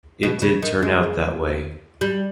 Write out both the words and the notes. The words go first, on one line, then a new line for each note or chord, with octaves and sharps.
It did turn out that way.
B2
C#3
D#3
G#3
G3